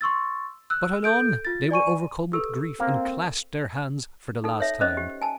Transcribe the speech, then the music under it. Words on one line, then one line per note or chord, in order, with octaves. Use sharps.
But anon they were overcome with grief and clasped their hands for the last time.
C6 C#6 E6 A6
E6 F#6
A4 G6 D7
F4 A6
D5 G#5 C#6 D#7
G4 A4 B4 E6
A#3 C4 F5
D#4 A4
C#5 E5
C#4 C5 D#5
G4
G#5 A5